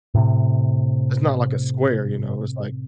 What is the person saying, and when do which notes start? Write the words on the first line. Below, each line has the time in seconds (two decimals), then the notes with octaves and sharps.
It's not like a square, you know? It's like
0.14 A2 C3